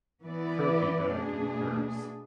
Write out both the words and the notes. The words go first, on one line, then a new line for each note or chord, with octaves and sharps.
Crotti died in Paris.
E3 B3 E4 B4 D5
B2 A3 D4 G#4